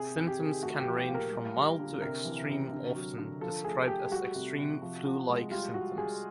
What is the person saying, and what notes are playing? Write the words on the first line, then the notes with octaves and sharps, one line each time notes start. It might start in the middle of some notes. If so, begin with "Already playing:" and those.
Symptoms can range from mild to extreme-often described as extreme flu-like symptoms.
Already playing: C3 G#4
C3
G4
D#3
A3 F#4
G4
F3
G4
A#2
A#4
G3
G3
D3
C3 A#4
E3
C3
D3
F#3
D3
F3 A4
A3 G#4
A3 G4
G3 F#4
C3
C3
F3
F3
G#3
G3 F4
G3 F#4
G3 G#4